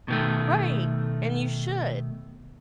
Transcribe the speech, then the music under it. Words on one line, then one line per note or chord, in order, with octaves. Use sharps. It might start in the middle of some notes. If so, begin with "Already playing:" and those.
Right, and you should.
B2 D#3 A3